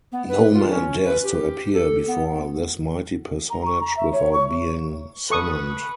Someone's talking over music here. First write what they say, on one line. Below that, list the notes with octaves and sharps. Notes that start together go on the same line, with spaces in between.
No man dares to appear before this mighty personage without being summoned.
B3
B4
F4
C#4
B4
G4
A4
B3
A#5
C#6
A#5
E5
C#5
C#6
A4 B4 C#6 D#6